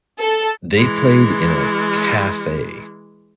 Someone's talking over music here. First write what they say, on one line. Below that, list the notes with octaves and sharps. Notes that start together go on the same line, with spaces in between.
they played in a cafe
A4
E3 G#3